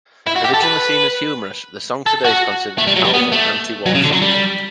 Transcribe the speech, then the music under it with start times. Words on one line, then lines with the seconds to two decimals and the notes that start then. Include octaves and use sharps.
Originally seen as humorous, the song today is considered a powerful anti-war song.
0.27 E4
0.36 F#4
0.44 G4
0.54 A4
0.63 B4
2.06 A4
2.25 F#4
2.78 A3
2.87 G3
2.96 F#3
3.05 G3
3.14 B3
3.32 A3
3.86 F#3
3.95 C#3
4.04 D3
4.13 F#3
4.22 G3